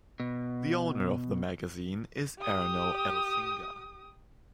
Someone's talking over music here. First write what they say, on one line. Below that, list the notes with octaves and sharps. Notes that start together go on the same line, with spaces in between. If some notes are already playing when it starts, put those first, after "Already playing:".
The owner of the magazine is Erno Elsinga.
B2
G4 D#6